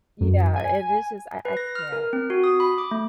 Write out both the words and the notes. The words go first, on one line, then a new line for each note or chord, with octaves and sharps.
Yeah, and it's just I I can't
F#2
G#5
B4
A#6
F6
A#4
C4
F#4
D#6
B5
D6
A3